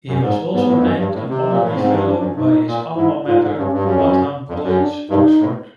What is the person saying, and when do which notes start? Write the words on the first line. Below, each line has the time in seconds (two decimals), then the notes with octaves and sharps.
He was also named an honorary fellow by his alma mater, Wadham College, Oxford.
0.08 F#2
0.22 G#2
0.54 G#2 B3
0.68 A2
0.78 F2
0.83 F#2
0.99 G2
1.14 A2
1.29 C3
1.50 A#2
1.63 A2
1.75 G#2 C4
1.91 G2
2.05 F#2 D4
2.20 F#2
2.35 G2 D#4
2.51 A2
2.67 A#2
2.96 G#2 E4
3.27 G#2 F4
3.42 G#2
3.58 G2 C#4
3.73 G2
3.84 F#2 C#4
3.95 F2
4.06 F#2
4.49 F2
4.64 F#2
4.78 D4
5.09 G2 D#4
5.40 A2